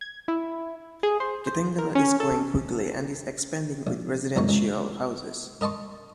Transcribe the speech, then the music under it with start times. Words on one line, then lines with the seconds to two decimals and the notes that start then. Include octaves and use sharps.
Kitengela is growing quickly and is expanding with residential houses.
0.01 G#6
0.28 E4
1.03 G#4
1.20 C5
1.47 C5
1.78 A#4
1.95 C#4
2.20 A4
3.87 A#1
4.36 C#2 F#2 D#3 A3 C#6
4.49 C#2
5.61 A#4 D#5 A5 C6 C#6